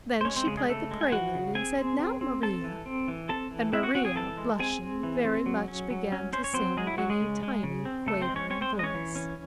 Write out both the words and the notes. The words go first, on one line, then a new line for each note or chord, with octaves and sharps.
Then she played the prelude and said "Now, Maria!" and Maria, blushing very much began to sing in a tiny quavering voice.
C5
G#3 C#4 C#5
C4 C5
C#3 G#3 G#4
G#3 G#4
C#3 A3 A4
G#3
G#5
E3 F#4 F#5
C#3
C4 G#4 G#5
C4
C4
C4
C4 A4 A5
E3
C4
E3
C4 A4 A5
E3
C4 E4 E5
F#4 F#5
C4 F#4 F#5
G#4 G#5
E3 A4 A5
G#3
C4 G#4 G#5
C4
E3
C4
F#3
C#4
F#3
C#4
C#4 C5
C#5
F#3 C4 C5
F#3 G#3 G#4
E4
F#3 C#4 F#4
G#3 G#4
C#3
G#3
C#3
C4
C#3 A3 A4
C4 C5
G#3
C#4 C#5
C4 C#4 C#5
C4 C5
G#3
D#5
C#4 C#5
E3
C#4